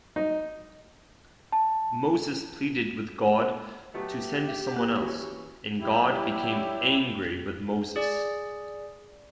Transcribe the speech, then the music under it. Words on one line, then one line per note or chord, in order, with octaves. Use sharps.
Moses pleaded with God to send someone else, and God became angry with Moses.
D#4
A5
F#3 A3 B3 G4
E5
A#3 F#6
E3 C#4 F#4
F#3 G3 E4 G4
G#4 D5